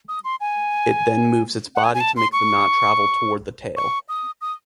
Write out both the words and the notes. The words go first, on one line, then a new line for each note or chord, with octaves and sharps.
It then moves its body to make the knot travel toward the tail.
D#6
C6
G#5
F#5
G#5
G#5
A5
C6
C#6
C#6
D#6
D#6